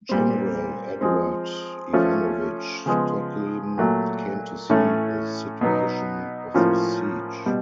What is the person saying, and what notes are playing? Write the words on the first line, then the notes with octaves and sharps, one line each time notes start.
General Eduard Ivanovich Todleben came to see the situation of the siege.
A#2 G3 C4
F3 G#3 C4
F3 A3 C#4 F4
C#3 F3 G#3 B3
A#2 F#3 A3
A2 E3 A3 C#4
B2 F#3 B3 D#4
A2 F3 A#3 C#4 F4
B2 G3